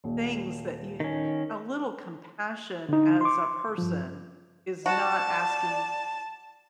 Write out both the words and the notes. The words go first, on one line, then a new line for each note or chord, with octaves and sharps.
things that you a little compassion as a person is not asking
D#1
D#3 C#4
D3 D#4
C6 D6
G2 F3
F#4 D5 A5